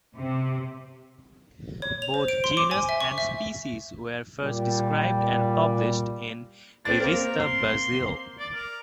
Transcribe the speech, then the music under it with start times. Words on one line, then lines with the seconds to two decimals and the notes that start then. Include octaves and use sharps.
Both genus and species were first described and published in Revista Brasil.
0.16 C3
1.82 C#5
2.02 F7
2.14 C5
2.28 D7
2.44 C6
2.57 D6
2.71 G#5
2.89 E5
3.00 C#6
3.18 E5
4.42 A#2 G3
6.85 C4 D4 A6
7.00 A#3 C4 A#4
7.39 C6
8.39 D5
8.55 A#4